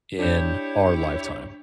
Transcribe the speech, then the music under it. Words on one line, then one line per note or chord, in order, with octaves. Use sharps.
in our lifetime?
D4 E4 G4 C#5 G6